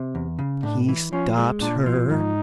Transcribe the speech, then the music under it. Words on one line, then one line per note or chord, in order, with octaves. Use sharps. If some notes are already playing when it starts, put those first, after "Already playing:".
He stops her.
Already playing: C3
E2
C#3
A2 D4
E3
F3 C#4
G#3
A#2 D4
F3
G#2 D#4